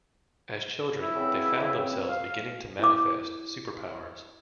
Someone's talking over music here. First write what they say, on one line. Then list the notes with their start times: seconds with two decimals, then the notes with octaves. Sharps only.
As children, they found themselves beginning to manifest superpowers.
1.01 E4
1.14 E2 C#3 C4
2.09 F5
2.80 E4 D6